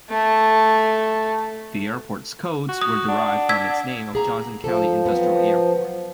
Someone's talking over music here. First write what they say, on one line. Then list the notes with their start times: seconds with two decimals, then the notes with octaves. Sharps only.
The airport's codes were derived from its name of Johnson County Industrial Airport.
0.10 A3
2.69 F#4
2.81 D#6
3.08 D4 F#5
3.49 E6 G#6 B6
4.13 A#3 G#4 A#5
4.64 F3 A4
5.05 F#3 B3 C4